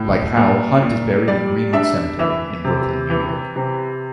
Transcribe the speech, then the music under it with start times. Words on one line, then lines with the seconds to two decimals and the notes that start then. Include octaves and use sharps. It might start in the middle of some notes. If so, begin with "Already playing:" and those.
Like Howe, Hunt is buried in Green-Wood Cemetery in Brooklyn, New York.
Already playing: A2
0.37 A#2
0.82 A#2
1.28 G3 D5
1.73 D4 E5
2.19 E3 E5
2.65 C3
3.10 E3
3.56 C3